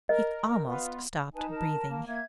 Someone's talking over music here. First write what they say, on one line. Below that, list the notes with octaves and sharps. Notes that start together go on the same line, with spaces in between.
He almost stopped breathing.
A#4 D#5
B3 F4
D#4 B4 G#5 A5
A#4 A5
A#3
A#3 E5 G#6